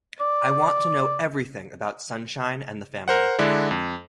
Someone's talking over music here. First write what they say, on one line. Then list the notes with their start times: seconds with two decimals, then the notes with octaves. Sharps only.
I want to know everything about Sunshine and the family.
0.21 D5
3.08 A#4 C5 F#5
3.39 D3 G#3 D4 E4
3.71 F2